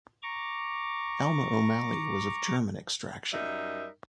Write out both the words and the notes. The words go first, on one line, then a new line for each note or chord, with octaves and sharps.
Alma O'Malley was of German extraction.
A#5 C#6 D6
F#2 G3 D#4 A#4 E5